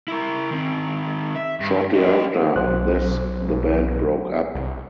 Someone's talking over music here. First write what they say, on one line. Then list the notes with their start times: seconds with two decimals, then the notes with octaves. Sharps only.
Shortly after this the band broke up.
0.08 E4 A#4
0.51 D#3 C4
1.36 E5
1.60 G2
1.95 G4 D#5
2.56 B1 F#3 C5 F#6
4.55 C2